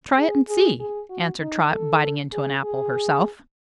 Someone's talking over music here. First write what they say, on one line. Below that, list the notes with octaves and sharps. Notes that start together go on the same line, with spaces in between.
"Try it and see," answered Trot, biting into an apple herself.
G#4
G#4
G#4
F#4
D#4
A4
G#4
G#4